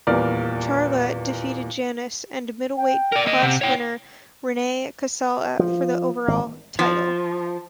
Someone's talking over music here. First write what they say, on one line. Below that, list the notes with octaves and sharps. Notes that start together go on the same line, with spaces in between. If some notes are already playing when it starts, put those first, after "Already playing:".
Charla defeated Janice and middleweight class winner Renee Casella for the overall title.
D#1 E2 A#3 D5 F6
G5
A#4 D5
A#3 D#5
C3 F#5
C#5 G5
F3
G#1
F3